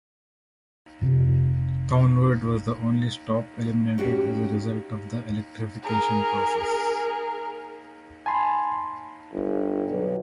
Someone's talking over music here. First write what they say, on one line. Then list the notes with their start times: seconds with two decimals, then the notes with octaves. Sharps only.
Thornwood was the only stop eliminated as a result of the electrification process.
1.01 F1 C3
3.98 C#4 F#4 G4
5.83 G#4 A#4
8.26 G#5 A5 B5 C6
9.33 G1
9.89 B1